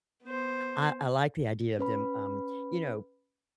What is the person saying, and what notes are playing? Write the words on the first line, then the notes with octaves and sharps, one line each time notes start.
I I like the idea of them, um, you know,
B3 C5
C#4 B4 B5